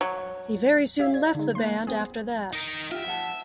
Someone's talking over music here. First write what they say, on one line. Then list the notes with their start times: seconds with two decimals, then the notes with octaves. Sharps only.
He very soon left the band after that.
0.01 F#3
0.99 G4 E5 F5
1.14 D5 G#6
1.35 D3 G#3 D#4
1.55 A#3 C6 F#6
1.87 B3 C4 G#4
2.53 D#4 A#4
2.92 F4 G4 E5
3.06 F2 F#5 A5